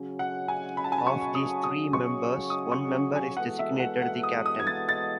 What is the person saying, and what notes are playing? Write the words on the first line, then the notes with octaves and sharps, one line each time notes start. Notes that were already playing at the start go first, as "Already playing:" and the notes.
Of these three members, one member is designated the captain.
Already playing: C#3 F#3 C#4 F#4
F#5
G#5
B5
A5
G#5
A5
C#6
D#6
D#6
C#6
D#6
C#6
G#5
E3 G#3 B3 F#4 A4 F#5
E5
F#5
F#5
D#6
D#6
G#6
A6
A6